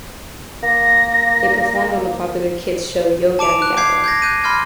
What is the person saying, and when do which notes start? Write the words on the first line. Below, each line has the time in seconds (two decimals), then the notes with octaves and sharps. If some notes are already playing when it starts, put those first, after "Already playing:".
They performed on the popular kids' show Yo Gabba Gabba!
0.63 A#3 A#6
3.39 A5 D6 D7 F7
3.62 F#6
3.77 D6 G6 G#6 C7
4.04 G6 G#6 A#6
4.22 F#6 G6 D#7
4.44 B5 C6 F6 G#6